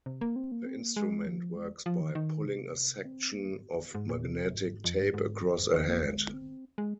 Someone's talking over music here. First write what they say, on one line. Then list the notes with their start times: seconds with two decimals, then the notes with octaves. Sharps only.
The instrument works by pulling a section of magnetic tape across a head.
0.06 C3
0.21 A#3
0.36 C4
0.52 A#3
0.66 C4
0.81 A#3
0.96 G#3
1.27 F3
1.56 G#3
1.86 F3
2.01 D#3
2.15 D#3
2.45 C3
3.05 C4
3.34 A#3
3.50 G#2
3.95 G#2
4.09 A#2
4.25 C3
4.53 G#2
4.84 F2
4.99 G#2
5.14 G#2
5.44 F2
5.59 G#2
5.74 D#3
5.88 A#3
6.03 G#3
6.34 C4
6.78 G#3